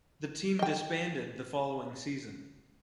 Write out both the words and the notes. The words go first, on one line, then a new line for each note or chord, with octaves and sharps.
The team disbanded the following season.
D#5 G5